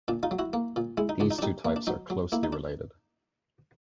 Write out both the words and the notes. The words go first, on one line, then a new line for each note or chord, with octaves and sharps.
These two types are closely related.
A#2 D4
D#4 F4
F#3
E4 F#4
A#3
A#2
G#3 E4
D#4
C#2 D4
D#4
D4
G3 D#4
A#3
D4
F#3 D#4
F#3
A#3 E4
D#4
D4